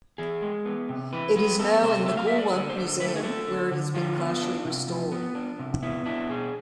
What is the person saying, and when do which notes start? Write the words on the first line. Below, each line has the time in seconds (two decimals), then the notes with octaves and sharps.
It is now in the Goolwa Museum, where it has been partially restored.
0.18 E3 G#4
0.42 G#3
0.65 B3
0.89 C3
1.13 E3 B4
1.36 G#3 B4
1.59 B3 A4
1.83 C3 C5
2.06 A3 E5
2.17 F5
2.27 D4 E5
2.38 D5
2.53 D3
2.69 C5
2.77 D3
3.00 A3 B4
3.08 A4
3.16 G#4
3.23 D4 A4
3.47 D3
3.71 D3
3.94 F3 F4
4.18 B3
4.41 D4
4.65 C3
4.88 F3
5.12 B3
5.35 D4
5.59 C3
5.82 B3 E4
6.06 D4 E4
6.29 B2 G#4